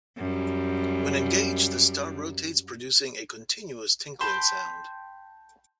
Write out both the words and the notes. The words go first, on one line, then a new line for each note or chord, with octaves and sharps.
When engaged, the star rotates, producing a continuous tinkling sound.
F#2 G3
G5 A5 B5 C6